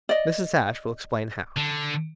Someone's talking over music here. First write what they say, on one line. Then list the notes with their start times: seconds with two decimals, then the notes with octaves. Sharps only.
Mrs. Ashe will explain how.
0.09 D5 D#5
1.57 D3